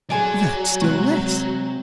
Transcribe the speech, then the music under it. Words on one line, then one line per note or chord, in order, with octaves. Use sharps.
"That still less."
F#3 G#4 D5 E5 G#5 C6
C3 G#3 C4 F#5 C#6